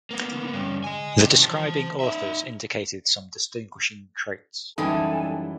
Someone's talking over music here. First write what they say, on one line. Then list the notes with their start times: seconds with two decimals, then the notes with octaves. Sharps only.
The describing authors indicated some distinguishing traits.
0.11 A#3 B3
0.53 G2 C#4
0.84 D#5 G#5
1.17 C3 D#3
1.42 C5 A5
2.00 D#4 E5
4.78 F#2 E3 G3 D#4 A4 G#5 A5